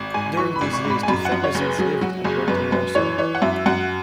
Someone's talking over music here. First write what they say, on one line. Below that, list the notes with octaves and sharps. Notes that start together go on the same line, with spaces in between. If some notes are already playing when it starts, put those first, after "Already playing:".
During these years the Themersons lived and worked in Warsaw.
Already playing: G#1
G#2 G#5
E3 C#6
B5
G#1
C#6
G#2
B5
G#5
F#2 B5
F#5
F#2
C#5
F#1
B4
F#3 G#4
F#3 F#4
F#1 G#4
F#2 B4
F#2 B4
E3 C#5
E3 C#5
F#5
F#2 E5
F#2 F#5